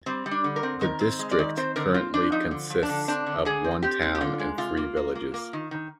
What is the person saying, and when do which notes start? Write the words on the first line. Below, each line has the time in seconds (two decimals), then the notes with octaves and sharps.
The district currently consists of one town and three villages.
0.06 G3 C4
0.26 G3
0.31 D4
0.44 D3
0.56 A#4
0.63 C4
0.81 D#3 A#4
1.01 C4
1.19 G#3
1.31 D5
1.39 D#3
1.57 C4 C5
1.76 D3 A#4
1.94 C4 F4
2.14 C4 D4
2.32 F3 D#4
2.51 D3
2.70 F3
2.83 D4
2.89 D3
3.08 C4 D4
3.26 D3
3.45 D3 G#4
3.64 C4
3.83 C4 G4
4.02 C4
4.15 G4
4.21 D3 F4
4.39 G#3
4.58 C3 F4
4.77 A#3
4.97 A#3
5.15 A#3
5.34 A#3
5.53 D#3
5.71 D#3